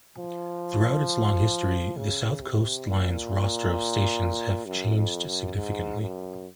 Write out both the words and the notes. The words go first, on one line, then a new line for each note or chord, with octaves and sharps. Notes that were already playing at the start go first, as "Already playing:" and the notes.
Throughout its long history, the South Coast Line's roster of stations have changed significantly.
F3
C#3
C3
A#2
F#2
F2
F#2
G#2
F#2